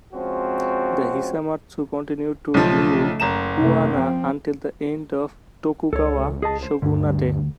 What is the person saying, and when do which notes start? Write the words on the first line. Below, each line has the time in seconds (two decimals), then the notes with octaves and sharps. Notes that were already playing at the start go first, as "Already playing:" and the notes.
The Hisamatsu continued to rule Kuwana until the end of the Tokugawa shogunate.
0.13 F3 G#3 C4 C#4 F#4
2.54 B1 C#3 F3 A3
3.20 F#1 A#5 E7
3.59 C3 A3
3.92 F3 C4
5.93 C#2 A4 C#5
6.42 G#4 D#5 A5
6.63 C5
6.82 D2 G2